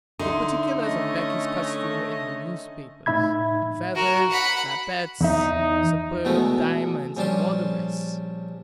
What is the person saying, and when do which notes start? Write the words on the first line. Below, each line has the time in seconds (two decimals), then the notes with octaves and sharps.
The particulars of Becky's costume were in the newspapers--feathers, lappets, superb diamonds, and all the rest.
0.19 D3 D#4 E4 C6
0.80 A3 C#4 D#5
3.06 A2 D#4 E5 B5 G#6
3.95 F#4 A#4
4.30 F#5 B5
5.21 E2 D#4 E5
6.25 E2 B2 G#3 A3 B3
7.17 A#1 G3 C#4 D4 A5 C6